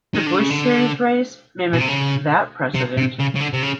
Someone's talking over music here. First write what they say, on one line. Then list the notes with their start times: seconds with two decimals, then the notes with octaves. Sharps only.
The Busch Series race mimicked that precedent.
0.15 D#3
0.27 D3
0.39 C#3
0.50 D3
1.73 B2
1.80 C3
1.88 C#3
2.75 C3
2.97 C3
3.19 C#3
3.35 C#3
3.40 D3
3.53 C3
3.63 C#3